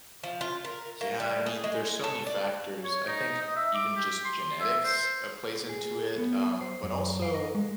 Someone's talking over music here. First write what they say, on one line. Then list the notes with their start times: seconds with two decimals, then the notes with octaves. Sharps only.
Yeah, I mean, there's so many factors. I think even just genetics, uh, plays into it, um, but also,
0.23 F3
0.41 F4
0.65 A#4
1.01 A#3
1.20 G3
1.46 G#4
1.64 G#3
2.04 A4
2.27 D5
2.84 C#5
3.07 D#4
3.41 D#5
3.56 E5
3.74 D6
3.96 G4
4.25 C6
4.60 E5
4.84 C5
5.69 G#4
6.18 B3
6.61 C5
6.83 F#2
7.22 F5
7.34 D#5
7.55 G#3